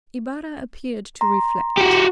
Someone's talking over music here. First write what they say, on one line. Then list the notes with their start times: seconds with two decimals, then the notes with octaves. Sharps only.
Ibarra appeared to reflect.
1.21 A#5 C6
1.78 F#4 G4